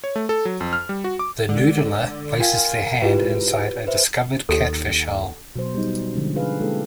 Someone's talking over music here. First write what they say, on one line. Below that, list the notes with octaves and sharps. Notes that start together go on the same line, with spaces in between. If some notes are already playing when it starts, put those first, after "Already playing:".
The noodler places their hand inside a discovered catfish hole.
C#5
A3
A4
F#3
F2
F6
G3
F#4
D6
D3 G#3
F4 A#4 F5 G5 G#5 G#6
G#2 E4 F4 G4 B4
B4 C5 E5
D#2 G4 A4
B2 F#3 C5
G3 D#4
D3 F3 G#3 C#4
F4 G#4 B4 F5
G#3 A#3 E4 G4 A4